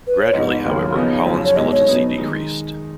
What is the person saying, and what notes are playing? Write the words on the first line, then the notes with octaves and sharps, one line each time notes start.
Gradually, however, Holland's militancy decreased.
B4
C#5
G#2 F3 B3 D#4 D#5
D#2 C#3 F#3 A#3
C#3 F3 B3 D#4
F#2 C#3 F3
C#5
B2 G#3 D#4 D#5
C#5
B2 F#3 B3 D#4
D#3 G#3 D#4